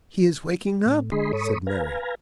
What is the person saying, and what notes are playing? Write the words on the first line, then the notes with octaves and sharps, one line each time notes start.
"He is waking up!" said Mary.
A2
D3 G#3 G#4 D#5 B5 C6
G#2 A4 C#5 B5 C#6 D#6
B4 F5 G#5 A#5